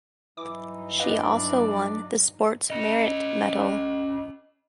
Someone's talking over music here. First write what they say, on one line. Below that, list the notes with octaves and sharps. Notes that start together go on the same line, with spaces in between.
She also won the Sports Merit Medal.
G2 E3 F#3 D#4 D6
D4 B4 D5 D#5 F5
C#4 D#5